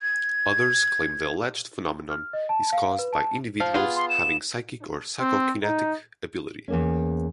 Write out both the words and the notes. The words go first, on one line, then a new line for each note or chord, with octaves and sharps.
Others claim the alleged phenomenon is caused by individuals having psychic or psychokinetic ability.
G#6
F6
D#5
A5
F5
B4
A5
F3 F5
B3 F4 G#4
C6
E7
C4
D#4
E2 A#3 C#4